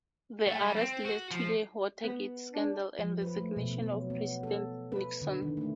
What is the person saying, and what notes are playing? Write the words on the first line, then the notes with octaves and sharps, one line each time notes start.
The arrests led to the Watergate scandal and resignation of President Nixon.
A3
G3
C4
F#4
F3
B3
D4
F3
B4
A3
B2
F#3
B3
A4
B4
D3
D#3
A3